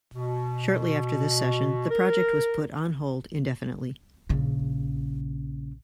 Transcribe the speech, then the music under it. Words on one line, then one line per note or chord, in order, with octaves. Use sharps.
Shortly after this session the project was put on hold indefinitely.
B2
A#4
A#1 C#3